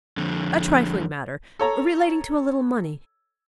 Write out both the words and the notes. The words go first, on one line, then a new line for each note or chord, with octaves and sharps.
A trifling matter, relating to a little money.
F2 D3
A4 C#5 A#5